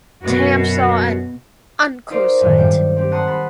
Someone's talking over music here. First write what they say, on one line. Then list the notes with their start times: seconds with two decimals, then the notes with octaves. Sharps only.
Tam saw an unco sight!
0.23 F#2 B2 F#4
2.10 D#4 F4 A#4 C5 D5
2.41 F#2 A2 D#3
2.57 G2 G3 G5
2.96 C4 G4
3.12 F#5 A5 A#5 C6 D#6
3.27 A5 B5 C6